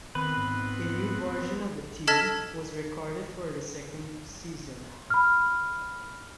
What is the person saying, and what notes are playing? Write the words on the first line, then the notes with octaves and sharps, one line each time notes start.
A new version of the theme was recorded for the second season.
D#3 B3 C4 B4
G#2
A4 D#5 A5 F6 G#6 B6
B5 F6